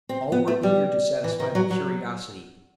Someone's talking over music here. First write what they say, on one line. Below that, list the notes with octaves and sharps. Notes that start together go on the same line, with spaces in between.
All were eager to satisfy their curiosity.
C4
B3
A3
G3
E3
D#3
F#3
F#3